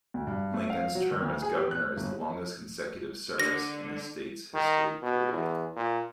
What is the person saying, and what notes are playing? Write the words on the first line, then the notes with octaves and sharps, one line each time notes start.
Lincoln's term as governor is the longest consecutive service in the state's history.
D2
G2
A3
F5
F#3
D#3
D2
G#4
G4
F#6
G1
D3 A#6
D#3
B2
E2
A#2